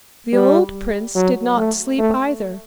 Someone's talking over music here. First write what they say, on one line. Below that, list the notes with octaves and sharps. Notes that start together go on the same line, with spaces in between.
The old prince did not sleep either.
G3
F#3
A3
A3